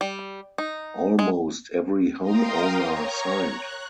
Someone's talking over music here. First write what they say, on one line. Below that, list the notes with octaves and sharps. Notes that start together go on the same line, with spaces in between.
Almost every homeowner signed.
G3
D#4
G#3
A#4 F5 G5 A#5 C6 D#6
C#5 A#5 C#6
F#6